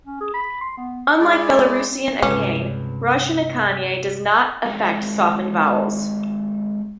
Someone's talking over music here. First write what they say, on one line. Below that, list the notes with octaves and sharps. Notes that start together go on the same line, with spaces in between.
Unlike Belarusian akanne, Russian akanye does not affect softened vowels.
C#4
G#4
B5
C6
B3
G#3 E4 D5
C#2 G2 C3 C#4 A4 B4 D6
G#3 C4 D#4 G4 A4